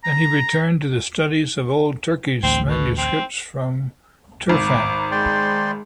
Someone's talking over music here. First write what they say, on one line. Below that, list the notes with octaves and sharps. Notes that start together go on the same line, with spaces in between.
Then he returned to the studies of old Turkish manuscripts from Turfan.
A#5
A1 D2 C4
B2
C4
G#1 A#5 D6
G#3 D5 G5 C6